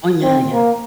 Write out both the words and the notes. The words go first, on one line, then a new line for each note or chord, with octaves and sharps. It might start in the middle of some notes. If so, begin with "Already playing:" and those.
Oh, yeah, yeah.
C4
A#3